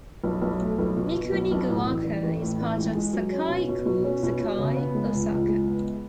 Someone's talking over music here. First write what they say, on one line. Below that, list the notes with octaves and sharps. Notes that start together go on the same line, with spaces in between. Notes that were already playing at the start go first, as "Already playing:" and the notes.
Mikunigoaka is part of Sakai-ku, Sakai, Osaka.
B1
B1
A3
B1
B2
B2
B1
B1
A2
A1
A1
A1
A2
A1
G#3
G#3
F#3
C#4
B2
B2
B2
C#4
B2
B2
C#3
B3
G#3
C#2
C#2
G#3
B3